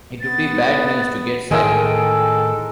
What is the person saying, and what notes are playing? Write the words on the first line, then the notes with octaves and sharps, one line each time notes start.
It would be bad news to get sacked.
B3 A6
A2 D#3 G#3 A4 A#4 G5 E6